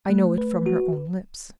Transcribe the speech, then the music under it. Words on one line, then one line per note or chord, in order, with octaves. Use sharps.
I know it from her own lips.
A3
B4
F#4